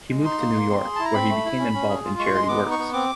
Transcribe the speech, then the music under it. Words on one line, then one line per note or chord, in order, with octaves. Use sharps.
He moved to New York, where he became involved in charity works.
G#3
D#4 C6
A#3
A#3
C4
G#4
E4 A5
A#5
C4 B5
A3
E4
C#4
C#4
G#4
F4
G#3 C#6
G#3 C6
B3 D6
D#4
C#6
B3
C4 D6